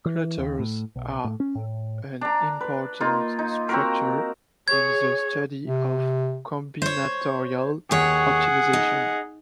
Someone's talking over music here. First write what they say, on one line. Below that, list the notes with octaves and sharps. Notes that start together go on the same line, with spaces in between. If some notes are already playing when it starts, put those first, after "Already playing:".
Clutters are an important structure in the study of combinatorial optimization.
E3
D#2
A2
B1
A2
C#4
A2
D4 A#5
B4
A#3 D#4 F4
D#4
C4 F#4 A#4
G#4 C#5 G#6
C3
C5 C#5
D#2 G#4 C#5 F#5
D#4